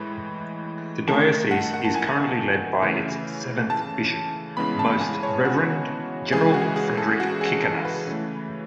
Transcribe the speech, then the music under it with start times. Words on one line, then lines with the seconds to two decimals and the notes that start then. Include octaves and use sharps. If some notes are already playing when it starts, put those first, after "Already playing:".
The diocese is currently led by its seventh bishop, Most Reverend Gerald Frederick Kicanas.
Already playing: A2 E3 G#3 B5
1.08 D#3 A3 A5
1.51 F#5
1.74 F#5
1.85 A5
1.96 G#5
2.82 C#3 E3 A3
3.70 A5
4.57 C#3 E3 G#3 B3 B5
4.79 A5
5.01 G#5
5.23 C#5
5.45 F#4
6.32 C#3 E3 G#3 G#4
6.54 F#4
6.76 G#4
6.97 A4
7.20 F#4
7.41 G#4
7.64 A4
7.85 B4
8.07 C#3 E3 A3